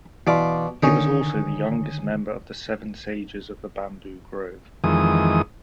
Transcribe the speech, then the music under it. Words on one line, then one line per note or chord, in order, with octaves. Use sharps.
He was also the youngest member of the Seven Sages of the Bamboo Grove.
B2 E3 D5 F5 C6 D6
D3 D#3 C#4 D#4 A#4
F2 D#3 E3 G#3 D#6